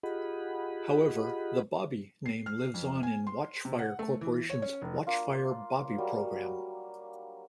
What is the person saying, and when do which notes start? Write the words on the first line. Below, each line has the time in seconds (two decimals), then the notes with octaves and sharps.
However, the Bobby name lives on in Watchfire Corporation's Watchfire Bobby program.
0.03 F4 G4 G#4 D#5 F#5 B5
2.26 C7
2.46 F6
2.74 F2
3.03 G#5
3.27 C6
3.65 C3
3.79 F#5
3.99 A3
4.21 E3
4.50 C#5
4.62 C#4
4.82 F1
5.07 A#3 D4 F4
5.98 F#3 G3 A#4